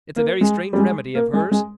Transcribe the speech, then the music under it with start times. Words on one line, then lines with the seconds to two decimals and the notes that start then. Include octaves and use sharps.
It's a very strange remedy of hers.
0.16 A#3
0.41 G#3
0.73 G3
0.77 G#3
1.15 A#3
1.33 G#3
1.52 G#3